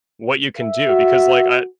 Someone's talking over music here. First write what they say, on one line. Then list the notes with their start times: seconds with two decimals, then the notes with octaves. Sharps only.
what you can do, because, like, I, eh, eh
0.58 E5
0.88 F#4